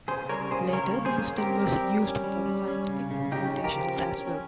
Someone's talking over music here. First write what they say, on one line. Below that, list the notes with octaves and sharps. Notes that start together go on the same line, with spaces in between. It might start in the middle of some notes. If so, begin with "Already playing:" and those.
Later, the system was used for scientific computations as well.
C#3 G#4 C5
G3 A#4 C#5
C#3 G#4 C5
G3 A#4 C#5
A#3
G#4 C5
C#4
C4 G4 A#4
C4
G3
C#4
G3
G3
C#4
C#3
C#3
C#4 D#4 G4
C#3
G4 A#4
F3
C#4
C#4